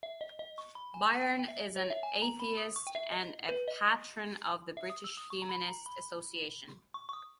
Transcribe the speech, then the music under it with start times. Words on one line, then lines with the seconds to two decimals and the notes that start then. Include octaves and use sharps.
Byrne is an atheist and a Patron of the British Humanist Association.
0.03 E5
0.21 D#5
0.39 D#5
0.58 C#6
0.75 B5
0.94 G#5
1.22 G5
1.39 G5
1.48 E5
1.76 C#5
1.90 E5
2.03 G#5
2.22 A#5
2.40 B5
2.57 D#6
2.76 C#6
2.87 G5
2.95 E5
3.12 D#5
3.49 B4
3.68 D#5
4.77 E5
4.90 D#6
5.04 E6
5.17 D#6
5.30 C#6
5.42 A#5
5.49 B5
5.67 A#5
5.86 B5
6.94 C#6
7.09 C#6
7.13 D#6